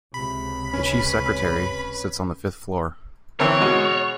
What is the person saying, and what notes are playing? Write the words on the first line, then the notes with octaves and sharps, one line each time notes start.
The Chief Secretary, sits on the fifth floor.
C#2 C3 B5
C#4 B4
E3 C4 A#4 C#5
B2 G#3